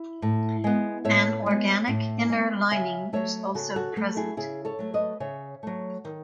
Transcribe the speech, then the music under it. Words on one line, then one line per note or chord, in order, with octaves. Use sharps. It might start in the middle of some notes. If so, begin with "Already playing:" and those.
An organic inner lining is also present.
Already playing: E4
A2
G#3 B3
A2 C#5 E5
G#3 B3
A2
G#3 B3
C#3 E5 G#5
F#3 A3 C#5 E5
C#3 F#4 A4
F#4 A4
F#3 A3 F#4 A4
E4 G#4
C#3 E4 G#4
A4 C#5
F#3 A3
B4 D#5
C#3 C#5 E5
F#3 A3
D#3